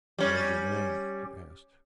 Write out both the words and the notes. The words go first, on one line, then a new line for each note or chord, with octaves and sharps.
"What is your name?" he asked.
G3 C#4